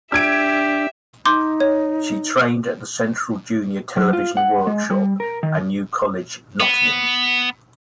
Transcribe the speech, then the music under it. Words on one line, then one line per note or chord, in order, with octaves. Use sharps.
She trained at the Central Junior Television Workshop and New College, Nottingham.
D4 G4 E5 E6 G#6 D7
D#4 C6 D6 G6
C#5
F#3
F4
F#5
G#3
G3
A#4
D#3
B3